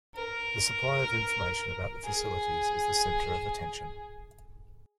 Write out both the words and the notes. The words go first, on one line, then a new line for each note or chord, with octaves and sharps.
The supply of information about the facilities is the center of attention.
A#4
G#4